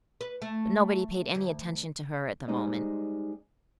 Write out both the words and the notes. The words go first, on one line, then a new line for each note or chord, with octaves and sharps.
But nobody paid any attention to her at the moment.
B4
A3
D2
G3 G#3 D#4 C5 D#5